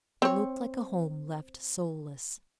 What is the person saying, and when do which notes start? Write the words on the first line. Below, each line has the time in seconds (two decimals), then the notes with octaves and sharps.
It looked like a home left soulless.
0.22 C4 C#5